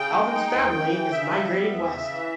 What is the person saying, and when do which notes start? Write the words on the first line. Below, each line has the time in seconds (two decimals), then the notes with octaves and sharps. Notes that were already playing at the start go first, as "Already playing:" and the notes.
Alvin's family is migrating west.
Already playing: C#3 G5
0.12 G#3
0.33 D#4
0.53 E2
0.72 C#3
0.91 E3
1.11 C#3 E5
1.31 G3
1.51 B3
1.71 E2
1.91 C#3
2.10 E3